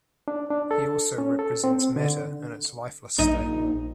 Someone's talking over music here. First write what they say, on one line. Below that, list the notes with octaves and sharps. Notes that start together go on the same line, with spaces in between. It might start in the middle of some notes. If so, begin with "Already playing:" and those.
He also represents matter in its lifeless state.
D4
D4
A4
C#4
A4
C4
D3
A#1 D#4